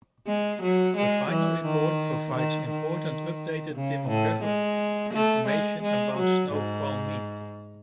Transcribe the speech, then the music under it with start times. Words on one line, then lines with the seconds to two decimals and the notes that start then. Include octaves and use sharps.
The Final Report provides important updated demographic information about Snoqualmie.
0.27 G#3
0.62 F#3
0.97 G#3
1.31 E3
1.66 D#3
2.35 D#3
2.70 D#3
3.74 C#3
4.09 A2
4.43 G#3
5.14 A3
5.47 G#3
5.83 G#3
6.18 F#3
6.51 G#2